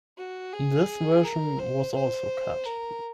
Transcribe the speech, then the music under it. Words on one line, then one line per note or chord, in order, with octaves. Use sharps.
This version was also cut.
F#4
G#4
A#4
C5
C5
A#4